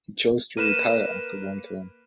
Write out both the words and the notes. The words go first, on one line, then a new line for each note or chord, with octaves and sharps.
He chose to retire after one term.
A#3 A#4 B4 D#7 E7